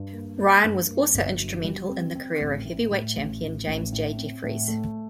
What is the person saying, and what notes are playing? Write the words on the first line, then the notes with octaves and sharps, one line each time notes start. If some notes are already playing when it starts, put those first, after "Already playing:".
Ryan was also instrumental in the career of heavyweight champion James J. Jeffries.
Already playing: G2
A#3
A#3
G2
A#3
G1
F#3
G3
C4
C4
A1
A2
A2
A1
A1
A1
A2
C4
A2
A3